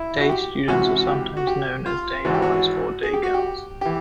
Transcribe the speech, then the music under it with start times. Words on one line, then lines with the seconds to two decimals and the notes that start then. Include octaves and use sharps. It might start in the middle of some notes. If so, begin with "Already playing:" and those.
Day students are sometimes known as day boys or day girls.
Already playing: E4
0.20 F#4
0.29 G4
0.68 C#2 C3 E3 F#4
0.97 F#4
1.07 G4
1.37 F#4
1.47 G4
1.86 F4
2.25 G#1 G#2 E3 F#4
2.34 G4
2.42 F#4
3.03 G#4
3.13 G4
3.23 F#4
3.34 G4
3.81 E3 G4